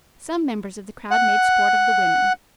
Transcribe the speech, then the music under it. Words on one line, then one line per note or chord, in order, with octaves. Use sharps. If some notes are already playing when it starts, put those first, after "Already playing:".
Some members of the crowd made sport of the women.
F#5